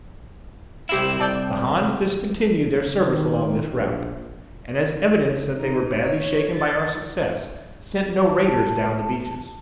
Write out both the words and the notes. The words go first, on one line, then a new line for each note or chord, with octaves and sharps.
The Hans discontinued their service along this route, and as evidence that they were badly shaken by our success, sent no raiders down the Beaches.
C2 C4 E4 G4 E5
C2 A4 D5 G5
D#3
A#1
D#4
C#5
A6
A5